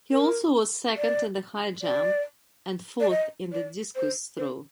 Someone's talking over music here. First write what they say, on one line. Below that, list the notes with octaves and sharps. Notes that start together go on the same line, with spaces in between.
He also was second in the high jump and fourth in the discus throw.
A#4
D5
D5
D5
D#5
D5
C5
C5